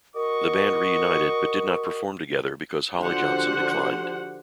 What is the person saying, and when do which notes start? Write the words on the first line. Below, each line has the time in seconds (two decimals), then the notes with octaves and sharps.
The band reunited but did not perform together because Holly Johnson declined.
0.15 F#4 A#4 D#5 C#6
3.01 D3 F3 F#4 G4 C5 F#5